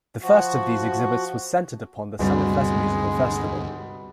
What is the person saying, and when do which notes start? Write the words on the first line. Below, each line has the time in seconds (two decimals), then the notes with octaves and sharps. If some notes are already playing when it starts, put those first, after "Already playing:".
The first of these exhibits was centered upon the Summerfest musical festival.
0.22 F3 F#4
2.19 D2 G2 C3 G3 G#3 B3 F#4